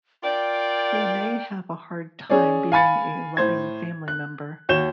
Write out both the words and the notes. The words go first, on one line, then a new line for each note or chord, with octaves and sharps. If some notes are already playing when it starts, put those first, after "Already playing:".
They may have a hard time being a loving family member.
F4 A#4 D5 G5
C#4 G#4 C#5 D5
F5 G#5 B5 A6 C#7
A2 C5 G#6
F#6
D#2 F#4 C#5 G6 E7 G7